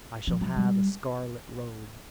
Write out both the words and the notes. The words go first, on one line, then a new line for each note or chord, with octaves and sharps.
I shall have a scarlet robe.
F3
F#3
G3